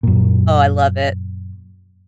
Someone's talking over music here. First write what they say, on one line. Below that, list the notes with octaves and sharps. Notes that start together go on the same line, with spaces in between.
Oh, I love it.
F#2 A#2